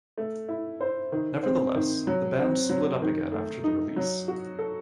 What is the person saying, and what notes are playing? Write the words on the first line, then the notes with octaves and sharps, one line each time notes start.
Nevertheless, the band split up again after the release.
A3
E4
C5
D#3
C4
D#3
F#3
C4
F#3
D#3
A3
D#4
F#3
F#4
A4